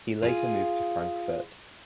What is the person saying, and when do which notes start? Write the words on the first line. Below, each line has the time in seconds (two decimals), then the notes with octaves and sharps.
He later moved to Frankfurt.
0.22 F4 G#4